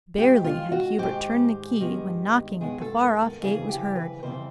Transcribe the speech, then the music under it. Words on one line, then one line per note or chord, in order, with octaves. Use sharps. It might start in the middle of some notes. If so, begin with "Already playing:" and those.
Barely had Hubert turned the key, when knocking at the far-off gate was heard.
G#2 D#3 G#3 G4
F4
F#4
G#2 D#3 G#3 G4
G2 D#3 G#3 B3
G2 D#3 G#3 B3 G#4
A4
A#4
A4
F2 C#3 E3 G3 C4 G#4
G4
B4
F2 C#3 E3 G3 C4 C5